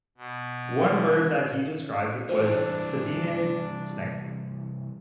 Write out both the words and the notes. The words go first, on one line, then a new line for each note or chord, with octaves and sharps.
One bird that he described was "Sabine's snipe".
B2
C2 E3 D4 C5